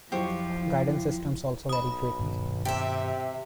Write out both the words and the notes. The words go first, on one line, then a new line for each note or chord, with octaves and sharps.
Guidance systems also vary greatly.
F2 F3 F#3 E4 G4 C5 F5 C#6
B1 B5 D#6
G2 B2 D#3
C3 G4 E5